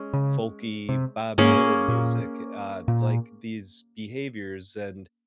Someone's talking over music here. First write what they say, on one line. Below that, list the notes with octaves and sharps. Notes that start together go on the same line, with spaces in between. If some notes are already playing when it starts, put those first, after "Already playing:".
folky Bob Dylan music, uh, like, these behaviors, and
Already playing: G#3 C#4
C#3
C3
G#2 A#3 C#4 G#4
A#2
A#2